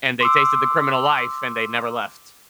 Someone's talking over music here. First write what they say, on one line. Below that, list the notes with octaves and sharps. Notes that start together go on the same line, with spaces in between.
and they tasted the criminal life and they never left.
C6 D6 E6